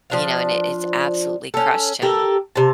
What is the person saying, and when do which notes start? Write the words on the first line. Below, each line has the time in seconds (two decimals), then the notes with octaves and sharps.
You know, and it it's absolutely crushed him
0.10 F3 D4 F5
1.54 C#4 A4
2.02 G4 A4 A#4
2.55 C3 A5